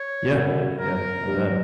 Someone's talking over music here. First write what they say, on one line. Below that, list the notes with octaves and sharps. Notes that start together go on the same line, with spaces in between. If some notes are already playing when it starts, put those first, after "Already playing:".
Yeah. Yeah. I bet.
Already playing: C#5
F#2 D3 G3
A#4
G2 F#3